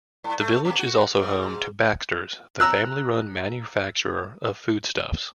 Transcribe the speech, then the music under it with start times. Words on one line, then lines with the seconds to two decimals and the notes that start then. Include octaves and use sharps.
The village is also home to Baxters, the family-run manufacturer of foodstuffs.
0.24 G#2
0.39 A3
0.65 B2
0.79 F#4
1.19 G#2
2.60 A#5 E6 F#6